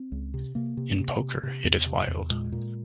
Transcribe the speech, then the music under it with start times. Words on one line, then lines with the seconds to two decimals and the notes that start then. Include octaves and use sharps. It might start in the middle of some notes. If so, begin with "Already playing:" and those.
In poker, it is wild.
Already playing: C4
0.12 C#2
0.34 C3
0.55 C3 A#3
0.77 C3
1.00 C3
1.20 C3
1.43 C3
1.64 E2
1.86 C3
2.08 E2
2.30 A#2 G#3
2.52 A#2